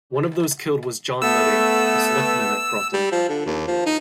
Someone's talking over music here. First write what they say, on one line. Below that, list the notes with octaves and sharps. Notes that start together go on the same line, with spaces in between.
One of those killed was John Nutting, a Selectman at Groton.
A3 B3 E6
G3
F3
D3
D#2
F3
D#4